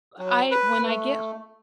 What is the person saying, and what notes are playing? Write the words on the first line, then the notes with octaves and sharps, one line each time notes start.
I when I get h
F#3
B4
A3